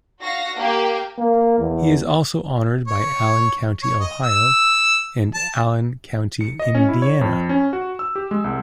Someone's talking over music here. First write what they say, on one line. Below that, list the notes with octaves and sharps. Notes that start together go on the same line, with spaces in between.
He is also honored by Allen County, Ohio, and Allen County, Indiana.
F#4 F5 A#6
A#3 G4
A#3
E2
C#5
C#5
D#5
E6
A5
C#7
D#5
C#4
E4
C#5
F2
C#4
F#4
E6
G4
G#3
C2